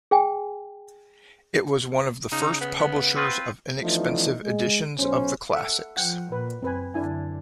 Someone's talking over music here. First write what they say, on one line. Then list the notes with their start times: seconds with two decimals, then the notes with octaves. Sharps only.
It was one of the first publishers of inexpensive editions of the classics.
0.11 G#4 G5 G#5
2.32 C#3 D#4
2.61 B3
2.79 B3
3.16 C4 F4 B4
3.82 E3 F3 A3 B3 D4 D#4
4.42 G#3
4.98 B1 C#4 C5
5.52 A4 E5 F#5
5.97 F3 F#5 G5
6.32 A#2 B4
6.62 F#1 C4 B4 G#5
6.94 F#2 D3 D4 E4 G#5